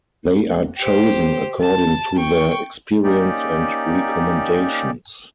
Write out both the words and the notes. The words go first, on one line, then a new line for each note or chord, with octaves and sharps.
They are chosen according to their experience and recommendations.
G4 C5
A5
G5 C#6
A#3 C#4 D#4 G4 D5 G5